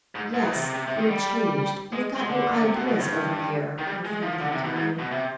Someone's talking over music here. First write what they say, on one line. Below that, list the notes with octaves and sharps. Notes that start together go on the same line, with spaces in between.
"Yes, you're changed; you've got new ideas over here," her friend continued.
G#2
G#2
B2
C3
C3
C3
C3
D#3
G3
G#3
G#3
D3
D3
C3
B2
B2
G2
D#3
G3
G#3
F3
D3
C3
B2
G#2
B2
C3